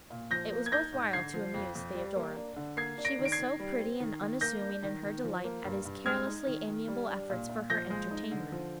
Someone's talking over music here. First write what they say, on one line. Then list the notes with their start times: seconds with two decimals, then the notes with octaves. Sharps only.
It was worth while to amuse Theodora, she was so pretty and unassuming in her delight at his carelessly-amiable efforts for her entertainment.
0.10 A#2
0.31 F3 G6 A#6
0.52 A#3
0.66 G#6
0.72 D#4 G6 A#6
0.92 G#2
1.13 D3 G#6 C7
1.34 F3
1.54 F2
1.75 F2
1.95 G3
2.16 A#3
2.36 D4
2.56 D3
2.77 A#3 G#6 C7
2.98 D4
3.05 A#6 D7
3.19 D#3
3.25 D7
3.32 G#6 C7
3.39 D#3
3.60 G3
3.80 C4
4.00 D#3
4.21 D#3
4.41 A#3 G6 A#6
4.62 D4
4.83 D#3
5.03 D#3
5.24 F3
5.44 A#3
5.64 G2
5.85 G2
6.06 G#3 F6 G#6
6.27 D#4
6.47 D#3
6.68 D#3
6.88 G3
7.08 D4
7.30 A#2
7.49 A#2
7.70 F3 G6 A#6
7.90 G#3
8.11 D#4
8.31 D3
8.52 F3